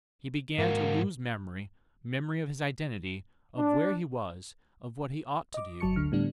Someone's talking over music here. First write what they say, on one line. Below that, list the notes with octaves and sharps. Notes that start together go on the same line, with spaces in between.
He began to lose memory--memory of his identity, of where he was, of what he ought to do.
G#2 A#3 F#4
D4
D#5 D6
G1 F#3 A5 C#6 C#7
D2 D3 F6
A2 D3 G3 B3 D4